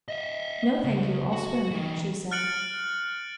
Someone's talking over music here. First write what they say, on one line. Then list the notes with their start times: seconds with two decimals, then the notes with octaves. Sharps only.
"No, thank you; I'll swim!" she said.
0.08 D#5 E5
0.84 C#3 G#3
1.33 F#4
1.70 E3 D#4
2.31 F6 F#6 A6 C#7 D7 F#7